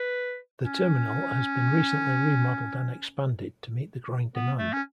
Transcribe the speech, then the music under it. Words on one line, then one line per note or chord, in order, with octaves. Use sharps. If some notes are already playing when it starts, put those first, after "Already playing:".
The terminal has been recently remodeled and expanded to meet the growing demand.
Already playing: B4
C#4
B3
A3
C#4